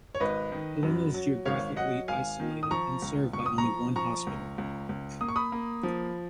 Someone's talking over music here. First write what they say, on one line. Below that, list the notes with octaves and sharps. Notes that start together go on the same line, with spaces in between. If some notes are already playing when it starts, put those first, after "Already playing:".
Helena is geographically isolated and served by only one hospital.
C#5
G#1 B4 D#5
D#3
F#2
F#3
G#1 C#5 F5
F#3 D#5 F#5
G#1 F5 G#5
D#3
D#6
F3 A#5 C#6
C#2
C#2 C#6
D#6
A#5 C#6
F3
F3 A#5 C#6
C#2
C#2
C#2
A#3 D#6
C#6
B5 D#6
A#3
F3